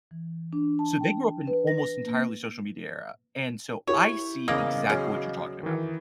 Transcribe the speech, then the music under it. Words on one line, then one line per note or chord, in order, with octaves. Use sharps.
So they grew up in almost entirely social media era, and so I see exactly what you're talking about.
E3
D4
A5
G5
B4
A#6
A#3
E4 G4 C#5
E2 C#3 A#3 D#5 F5 D6
F#3 C#4 G#4 C7
D#3 E3